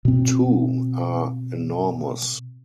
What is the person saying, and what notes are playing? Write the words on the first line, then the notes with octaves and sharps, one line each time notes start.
Two are enormous.
B2 C4